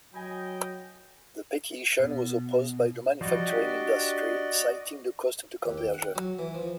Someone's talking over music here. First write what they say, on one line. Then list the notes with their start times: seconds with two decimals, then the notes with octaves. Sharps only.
The petition was opposed by the manufacturing industry, citing the cost of the conversion.
0.14 F#3 D#5 G5 G#5 B5
1.99 B2
3.21 F3 G3 F#4 D5 D#5
3.47 D4 G4
5.65 D#2
5.78 G5
5.94 F#5
6.15 F#3
6.39 E3
6.55 F3